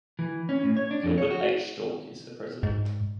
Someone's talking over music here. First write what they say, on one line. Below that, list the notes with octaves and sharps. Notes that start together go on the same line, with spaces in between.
Gilbert H. Stork is the president.
E3
C#4
A2
C#5
D4
F2
C#5
F#4
G#2